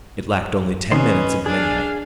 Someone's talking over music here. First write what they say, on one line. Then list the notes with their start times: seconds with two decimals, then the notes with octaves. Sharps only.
It lacked only ten minutes of midnight.
0.92 D#3 C#4 B4 D#5 C6
1.46 D4 G#4 F5 G#5